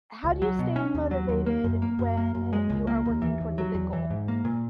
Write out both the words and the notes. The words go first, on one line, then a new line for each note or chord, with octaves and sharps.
How do you stay motivated when you are working towards a big goal?
C#2
F#3
B2
C#4
D#2
F#3
D#2
A#3
F#2
A#3
F#2
A#3
F#2
G#3
C#2
A#3
D#2
E3
D#2
F#3
E2
E3
G#2
A#3
A#2